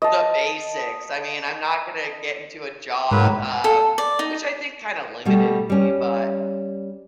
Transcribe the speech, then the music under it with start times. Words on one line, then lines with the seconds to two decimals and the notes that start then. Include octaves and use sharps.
the basics, I mean, I'm not gonna get into a job, um, which I think kinda limited me, but
0.02 D#5 A5
3.11 G#2 F#3 A#3 B4
3.64 A4
3.98 D5
4.19 D#4
5.25 B2 G3 A3
5.70 G3 C#4